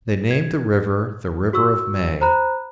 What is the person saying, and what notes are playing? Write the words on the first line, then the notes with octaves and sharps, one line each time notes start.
They named the river the River of May.
G#6
F#4 C#6 E6
C5 A#5 B5 F#6